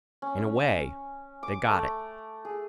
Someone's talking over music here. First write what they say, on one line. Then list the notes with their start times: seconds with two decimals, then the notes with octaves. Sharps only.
In a way, they got it.
0.22 C#4
1.43 D6
1.67 A3
2.45 G#4